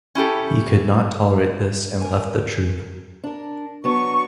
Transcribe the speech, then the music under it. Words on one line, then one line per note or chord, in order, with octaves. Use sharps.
He could not tolerate this and left the troupe.
C#4 E4 G4 A4
A#4 G#5
D4 A#4
F#3 B3 D4 C#6